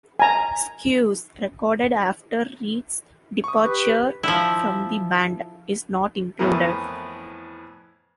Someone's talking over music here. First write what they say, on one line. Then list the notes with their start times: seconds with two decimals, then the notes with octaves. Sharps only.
"Squeeze", recorded after Reed's departure from the band, is not included.
0.19 G#5 A#5
3.44 C#6 D#6
3.64 G4 B4
4.23 F3 E4
6.39 F2 A2 E3 B3 E4 A#4